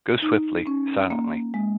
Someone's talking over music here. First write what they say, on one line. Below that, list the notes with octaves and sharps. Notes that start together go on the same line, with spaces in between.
Go swiftly, silently.
D#4
C#4
A#3
G#3